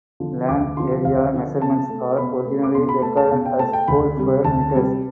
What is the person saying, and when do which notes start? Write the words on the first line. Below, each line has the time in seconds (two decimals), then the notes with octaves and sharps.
Land area measurements are originally recorded as whole square meters.
0.20 D3 F3
0.48 D2 D6
0.77 D3 F3 C6
1.04 D2 F5
1.33 D3 F3
1.62 B2 A5
1.90 A3
2.18 B2 B5
2.46 A3
2.64 D6
2.75 B2 C6
2.89 B5
3.02 A3 A5
3.17 A5
3.31 B2 F5
3.46 G5
3.59 A3 A5
3.73 G5
3.88 D2 B5
4.16 C3 G3
4.44 D2 A5
4.73 C3 G3